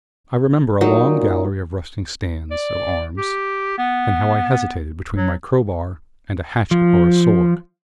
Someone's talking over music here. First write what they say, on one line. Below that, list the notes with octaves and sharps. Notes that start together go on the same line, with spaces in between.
I remember a long gallery of rusting stands of arms, and how I hesitated between my crowbar and a hatchet or a sword.
A#2 F#3 D#4
D5
G4
B3
F#3
F3